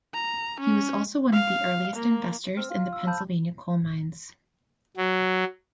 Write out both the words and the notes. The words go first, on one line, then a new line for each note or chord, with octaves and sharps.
He was also one of the earliest investors in the Pennsylvania coal mines.
A#5
C#4
F5
A#3
C4 F6
F4
E6
F3 A5 B5 G6
F#3